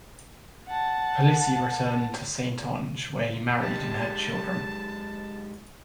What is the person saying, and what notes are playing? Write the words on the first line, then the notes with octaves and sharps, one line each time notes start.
Palissy returned to Saintonge where he married and had children.
F#5 A5
G#3 D#4 G4 A5